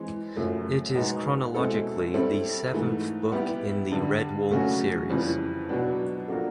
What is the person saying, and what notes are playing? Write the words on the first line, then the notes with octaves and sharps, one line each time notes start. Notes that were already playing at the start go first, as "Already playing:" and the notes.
It is chronologically the seventh book in the "Redwall" series.
Already playing: E3 G#3 C4
F#2 C#3 F3 A3
B2 G#3 B3 D#4
B2 G#3 C4 E4 A4
G3 C4 E4 A4
G#2 E3 A3
G3 B3 E4 G4
G2 D3 G3
C#3 F#3 A3 C#4 F#4
F2 C#3 E3 G3 C4
B2 F#3 B3 D4
F3 A#3 D4 F#4 A4